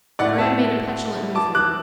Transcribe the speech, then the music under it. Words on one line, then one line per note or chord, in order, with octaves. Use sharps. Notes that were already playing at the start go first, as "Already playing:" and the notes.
Graham made a petulant movement.
A2 A3 D5 F#5
E5 A5
A5 D6
D6 F#6